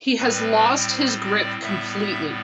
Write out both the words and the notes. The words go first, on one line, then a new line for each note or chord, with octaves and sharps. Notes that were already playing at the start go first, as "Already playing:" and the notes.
He has lost his grip completely.
A2 G3 C4 B4
C5
D5
A2 G3 B3 E5
E5